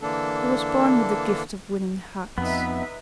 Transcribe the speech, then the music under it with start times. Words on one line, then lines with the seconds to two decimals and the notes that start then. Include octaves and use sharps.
He was born with the gift of winning hearts.
0.01 D3 E3 A#3 D4 A4
2.38 F2 B3 D#4 B4 E5